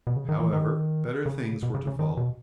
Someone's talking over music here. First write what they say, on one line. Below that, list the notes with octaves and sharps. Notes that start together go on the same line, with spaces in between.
However, better things were to follow.
B2
C#3
D#3
E3
D#3
C#3
B2
C#3
C#3
D#3
B2